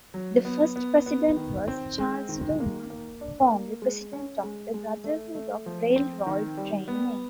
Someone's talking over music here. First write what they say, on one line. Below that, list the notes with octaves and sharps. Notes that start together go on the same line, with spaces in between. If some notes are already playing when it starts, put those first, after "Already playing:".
The first president was Charles Luna, formerly president of the Brotherhood of Railroad Trainmen.
F#3
B3
B3
B3
D#3
C4
G#3
D#3
A#3
A#3
D4
A#3
G#3
C#4
G#3
G#3
A3
A3
F3
C4
D#3
G3
B3